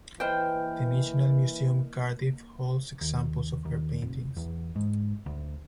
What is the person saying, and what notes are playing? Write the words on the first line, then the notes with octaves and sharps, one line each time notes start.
The National Museum Cardiff holds examples of her paintings.
E3 A#3 B4 C5 D#5 G5 F6 G6
D#2
D#2
F1
E2
G#2
D2